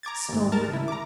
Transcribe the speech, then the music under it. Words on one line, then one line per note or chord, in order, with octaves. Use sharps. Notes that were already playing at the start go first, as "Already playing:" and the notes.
Snow Cream.
A#5 D6 G#6 A6
D#2 G#2
A#4 A5 A#5 F6 A6
E4
A#5 D6